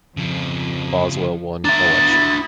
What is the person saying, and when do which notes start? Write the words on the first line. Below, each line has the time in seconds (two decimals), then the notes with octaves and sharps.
Boswell won election.
0.17 F2 C#3 F3
1.65 B3 D4 E5 A#5 A6
2.09 E4